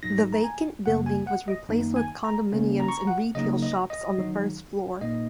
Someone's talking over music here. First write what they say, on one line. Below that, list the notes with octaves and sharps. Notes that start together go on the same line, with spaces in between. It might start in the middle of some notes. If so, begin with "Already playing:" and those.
The vacant building was replaced with condominiums and retail shops on the first floor.
G#2 F#3 D#4 A#6
A#5
G#5
F#2 C#3 A#3 F#5
G#5
F#5
D#5
F#2 D#3 A#3 D#4
G#5
A#5
C#3 A#3 C#4
A#5
C#6
A#5
F#5
C#3 F#3 A#3 D#4 D#5
D#5
D#5
D#3 F#3 D#4
A#2 A#3 D#4 D#5